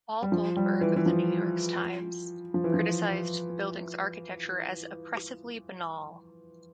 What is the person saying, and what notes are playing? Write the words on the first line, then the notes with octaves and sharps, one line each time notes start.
Paul Goldberger of the "New York Times" criticized the building's architecture as "oppressively banal".
G3
F3
G3
E3
E3
F3
F3
E3
F3